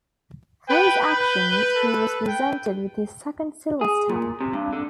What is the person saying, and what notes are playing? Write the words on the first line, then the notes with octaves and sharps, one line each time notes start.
For his actions, he was presented with his second Silver Star.
B4 G5
G6
A4
G5
G#4
A#2
C3
G2
D3